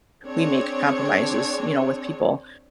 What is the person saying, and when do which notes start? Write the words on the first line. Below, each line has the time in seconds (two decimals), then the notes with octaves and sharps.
we make compromises, you know, with people.
0.25 C4 D4 G#4 C#5